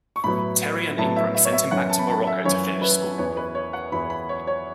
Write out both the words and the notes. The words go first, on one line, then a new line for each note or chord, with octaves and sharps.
Terry and Ingram sent him back to Morocco to finish school.
C#6
A2 F#3 B3 E4 B5
A2 F#3 B3 E4 A5
E5
E5
C#5
E5
F#2 E3 C#4 E4 F#5
A5
B5
A5
E5
F#2 E3 C#4 E4 C#5
B4
E2 E3 B3 E4 C#5
B4
C#5
F#5
E2 E3 B3 E4 B5
B5
C#5
C#5